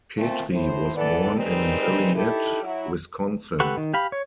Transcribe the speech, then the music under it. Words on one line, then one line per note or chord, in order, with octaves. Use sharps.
Petri was born in Marinette, Wisconsin.
A#2 A3 C4
A2 C5
E3 B3 A4 D5
D#3 G3 G#3 C4 D#4 B4
D#4 E4 G4 A4
F#3 E4
G4 A4 B4 F#5 C#6
D#3
G4 F5 B5
C#5